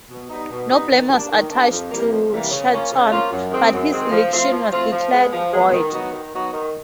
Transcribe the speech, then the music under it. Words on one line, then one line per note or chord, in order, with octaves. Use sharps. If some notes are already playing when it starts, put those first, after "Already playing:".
No blame was attached to Shenton, but his election was declared void.
B2
G3 B3 D#4
B2
G3 B3 D#4
D#3
G3 A#3 D4
D#3
G3 A#3 D4
F2
C3 E3 G3 A#3
F2
C3 E3 G3 A#3
C#3
F3 A#3 C#4 F4
C#3
F3 A#3 C#4 F4
F#2
D#3 G#3 C4
F#2
D#3 G#3 C4
F3
A3 C4 F4
F3
A3 C4 F4
F3
G#3 B3
F3
G#3 B3
D#3
F#3 B3 D#4 F#4
D#3
F#3 B3 D#4 F#4
D#3